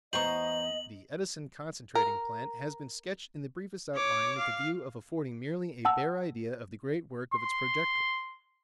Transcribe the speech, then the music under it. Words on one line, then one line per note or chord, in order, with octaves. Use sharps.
The Edison concentrating plant has been sketched in the briefest outline with a view of affording merely a bare idea of the great work of its projector.
E2 B3 C5 D#5 A#5 C#6 F#7
A#4
C#5 D6
F5
F#5 A5 E6
C6